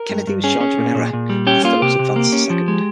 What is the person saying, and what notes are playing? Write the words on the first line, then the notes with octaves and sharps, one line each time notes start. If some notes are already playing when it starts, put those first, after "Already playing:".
Kennedy was charged with an error, and Phillips advanced to second.
Already playing: A#4
G2
G2
C#4 G#4
C#4
A#2
A#2
A#2
G3
C#4 G4
A#3 F4
C3 G4
C3
A#3
C#4
F3
G#3